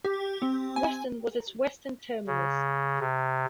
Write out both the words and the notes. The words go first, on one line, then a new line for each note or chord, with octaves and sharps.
Weston was its western terminus.
G4
C4
G#5
C#3
C3